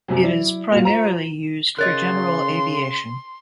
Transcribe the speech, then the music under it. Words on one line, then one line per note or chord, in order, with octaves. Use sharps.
It is primarily used for general aviation.
F#2 C3 F#3
F#3 E4 D5
A#2 A#3 F#4 F5 F7
F4 C5 A#5
C#3 A#4 C#5 D#5 C6 F#6 A6